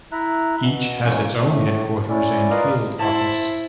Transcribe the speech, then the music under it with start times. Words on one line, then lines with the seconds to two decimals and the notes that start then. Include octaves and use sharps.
Each has its own headquarters and field office.
0.12 E4 E5 A#5 F#6
0.62 B2
1.05 D3 E3 G#3 A#3 C#4
1.37 A2 A3
2.09 C#4 E4 D5
2.51 F4 A#4 B4 D5 D#5 F5
2.99 E4 C5 A5